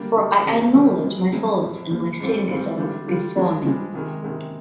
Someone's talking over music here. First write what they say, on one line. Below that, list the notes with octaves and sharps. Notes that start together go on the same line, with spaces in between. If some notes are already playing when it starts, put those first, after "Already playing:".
For I acknowledge my faults: and my sin is ever before me.
Already playing: D3 G3 A#3
D3 G3 A#3
C2 A#2 G#3 C4 G4
C2 A#2 G#3 C4 G4
G2 F3 G#3 C4
G2 F3 G#3 C4
A#1 A#2 F3
A#1 A#2 F3
G#2 G3 C4 F4
G#2 G3 C4 F4
D3 G3 D4 F4
D3 G3 D4 F4
G2 F3 G#3 D4
G2 F3 G#3 D4
C3 D#3 G#3
C3 D#3 G#3